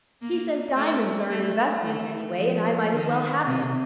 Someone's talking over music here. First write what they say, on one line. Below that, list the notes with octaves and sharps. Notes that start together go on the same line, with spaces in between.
He says diamonds are an investment, anyway, and I might as well have them.
A#3
A3
A3
A3
F3
D#3
C3